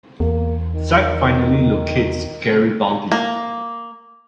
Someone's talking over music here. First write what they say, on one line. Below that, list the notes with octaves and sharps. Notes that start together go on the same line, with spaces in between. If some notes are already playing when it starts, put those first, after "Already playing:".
Zack finally locates Garibaldi.
E2 A#3
D#3
A#3